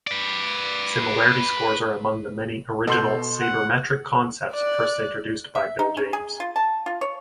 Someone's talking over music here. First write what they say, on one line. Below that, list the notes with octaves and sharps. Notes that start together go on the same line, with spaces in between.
Similarity scores are among the many original sabermetric concepts first introduced by Bill James.
B4 D5
B2 A4 C6 G6
F#5
D5 F#6
E5
D#4
C#4
G#4
F4
A5
F4
C#5